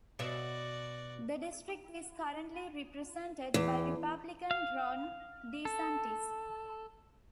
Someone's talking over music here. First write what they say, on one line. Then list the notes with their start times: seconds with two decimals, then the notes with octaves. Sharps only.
The district is currently represented by Republican Ron DeSantis.
0.19 B2 F#4 D5 E5
3.54 E2
4.51 F5
5.65 A4